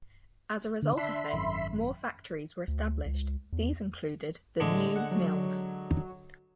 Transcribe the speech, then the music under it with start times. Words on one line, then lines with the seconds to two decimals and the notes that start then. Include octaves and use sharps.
As a result of this, more factories were established; these included the New Mills.
0.82 D3
0.98 D4 E5 B5 C6
1.33 G#1 F#2
2.68 D2
3.06 C#2
3.53 E2
4.60 A2 D3 G#3
4.95 F#5
5.11 F#3